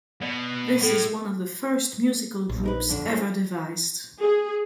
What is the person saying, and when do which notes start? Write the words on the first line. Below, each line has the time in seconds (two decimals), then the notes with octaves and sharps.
This is one of the first musical groups ever devised.
0.22 B2 D5
0.83 A2 F4 A4
2.49 A#1
2.64 D#4 A#4 B4
2.89 F2 D3 D4
3.08 C#4 E4 C5
4.20 G#4